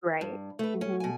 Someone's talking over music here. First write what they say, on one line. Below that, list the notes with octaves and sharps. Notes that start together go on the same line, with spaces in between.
Right. Mhm.
G2
A3 B4
C#4
B2 G#5